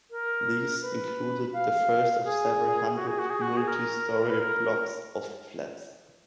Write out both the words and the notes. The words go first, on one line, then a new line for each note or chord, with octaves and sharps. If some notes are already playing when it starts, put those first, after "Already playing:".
These included the first of several hundred multi-storey blocks of flats.
A#4
B4
F5
G#4
F#4
G#4
F#4
G#4
F#4
G#4
A#4
B4
A#4